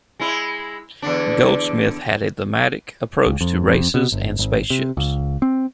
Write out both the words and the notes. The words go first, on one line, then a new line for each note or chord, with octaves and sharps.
Goldsmith had a thematic approach to races and spaceships.
G#3 E4
E2 D3 D4
C#2
F2
F2
B2
G1
G#1
C3
C#2
C4